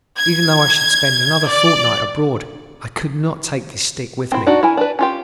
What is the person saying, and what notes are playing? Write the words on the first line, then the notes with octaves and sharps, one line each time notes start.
Even though I should spend another fortnight abroad I could not take this stick with me.
G#6
D5
C4 E4
D4 D#4 F#4
E4 A#4 G#5
D4 B4
C#4 F4 G4